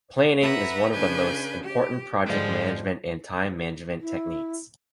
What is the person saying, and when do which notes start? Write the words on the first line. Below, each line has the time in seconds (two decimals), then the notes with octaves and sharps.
Planning is one of the most important project management and time management techniques.
0.41 B4 E5 F#5 A#5 B5
0.91 C#3 D4 B4 G#5 G6
1.63 G4
2.25 G#2 D3 F3 G3 G#3
4.01 E4